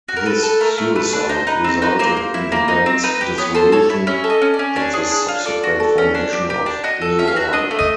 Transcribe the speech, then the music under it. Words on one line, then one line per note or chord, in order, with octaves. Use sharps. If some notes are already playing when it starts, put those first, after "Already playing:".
His suicide resulted in the band's dissolution and the subsequent formation of New Order.
F#4
A#4
A4 B4
A4
A3 A#4
A3
A3 B4
D4
D#4 C5
D#4 B4
C4
D#4 B4
A#3 C5
A#3
E4
A#3
D#4
C4
D#4 B4
G4
B3 C#5
A4 C5
A4 C#5
E4
C#4 E5
A4
D#5
C#4
D5
C#4
D4 C#5
G#4
D4
F4
A4 D5
F#4
A4
C#4
D4
G4
G4
D4
F#4 D#5
A4
C#4 E5
F5
F#4 E5
D4 D#5
A3
D#5